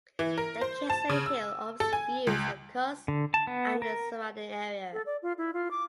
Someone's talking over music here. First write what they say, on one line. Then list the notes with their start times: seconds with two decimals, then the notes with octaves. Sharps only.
The castle hill offers views of Khust and the surrounding area.
0.19 E3
0.38 A#4
0.61 C5
0.90 A5
1.09 C#3
1.26 E6
1.80 A4
1.93 G#5
2.27 C#2
3.08 D3
3.34 A5
3.47 B3
3.82 A#4
4.93 A4
5.06 D5
5.22 F4
5.38 E4
5.54 F4
5.71 D6